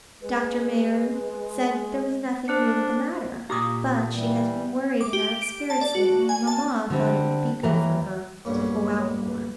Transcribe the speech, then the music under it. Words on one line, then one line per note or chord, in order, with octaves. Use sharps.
'Dr. Mayerne said there was nothing really the matter: but she has been worried and out of spirits lately; and mamma thought it would be good for her to go out more.'
G#3 B4
D4 C5 F#6 C#7
A#2 G4 A#5 D6 D#6
E3 G3
D6
G4
D7
A5
D5
F#4
G#5
A5
D3 G3 C4
D#2 E3 A#5
B1 G2 A#2 C#5
B4